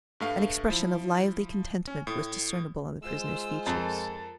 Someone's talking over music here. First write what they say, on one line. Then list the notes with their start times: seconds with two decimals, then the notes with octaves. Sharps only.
An expression of lively contentment was discernible on the prisoner's features.
0.20 G2 A3 F5
0.69 F3 E4
1.87 C#4
2.07 A2
3.02 G#3 F4 C5 E6
3.66 F2 A4 A#4